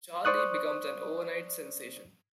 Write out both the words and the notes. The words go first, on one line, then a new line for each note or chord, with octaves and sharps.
Charlie becomes an overnight sensation.
C5 D5 C#6 D#6 F#6